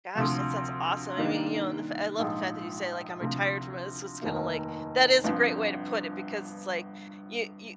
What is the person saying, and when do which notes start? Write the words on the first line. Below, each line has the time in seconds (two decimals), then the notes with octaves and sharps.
gosh, that sounds awesome, I mean you know, and the I love the fact that you say, like, "I'm retired from" it's just kinda, like, that is a great way to put it because it's, like, y y
0.15 D2 C3 F3
1.17 G2 D#3 A#3 D4
2.19 A#1 G#2 F3 G#3
3.20 D2 C3 F3
4.22 F1 D#2 D#3 G3 A#3
5.24 G1 G2 F3 C4